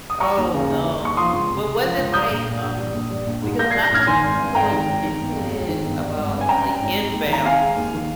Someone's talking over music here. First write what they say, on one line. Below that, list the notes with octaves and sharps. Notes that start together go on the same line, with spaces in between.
Oh, no. But, was it, like, um, because when I looked int to it, when they said about, like, inbounds,
D#6
G3 A#5 C#6
D#2
C#3
D#2
G3
D#2 C#6
F3 C6 D#6
C#2
C3
G#3
F3
C#2
G3 D#6 G6
A#1
A#2
A#1
G3
A#1
G3
A#1
G#2
A#3 G6 A#6
G3 G#6 C7
G6 A#6
A#1 F6 G#6
D#3 G#5 C6
G#1
G2
G#1 G5 A#5
D#3
G#1
D#3
G1
F2
G#3
D#3
G1
G3
G#1
G2
G#5
C#4 G5 A#5
G3
G#1
G#3
D#2
D#3 A#5
C4 F5 G#5
G#3
D#2
D#3